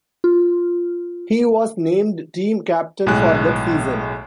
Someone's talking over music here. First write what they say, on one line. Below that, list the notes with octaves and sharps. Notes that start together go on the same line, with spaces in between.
He was named team captain for that season.
F4
B1 A2 G#3 G#5 F#6